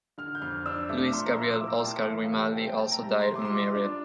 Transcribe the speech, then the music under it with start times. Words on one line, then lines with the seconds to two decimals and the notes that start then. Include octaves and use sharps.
Louis-Gabriel-Oscar Grimaldi also died unmarried.
0.18 D3 F6
0.35 G6
0.42 F2 F6
0.66 D4 E6
0.89 A3 D6
1.13 F3 C6
1.25 A#5
1.37 A#2 C6
1.49 D6
1.55 E6
1.60 E4 D6
1.67 A#5
1.73 C6
1.80 G5
1.84 A#3 A5
1.96 G5
2.08 E3 E5
2.24 F5
2.32 C3 G5
2.40 A5
2.55 C4 G5
2.68 G5
2.79 A3 A5
2.91 A#5
3.03 G3 A#5
3.20 C6
3.27 C3
3.36 D6
3.45 C6
3.51 F4 D6
3.75 D4